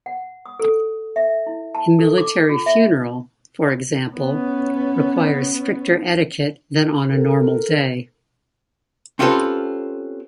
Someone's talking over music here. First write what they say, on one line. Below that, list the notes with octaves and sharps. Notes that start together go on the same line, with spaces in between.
A military funeral, for example, requires stricter etiquette than on a normal day.
F#5
D#6
A4
E5
E4
A5
A4
D6
F4
E5
B3 C#4
A4 A#4 F#5
C4 C#4 F4 G4 A4 B4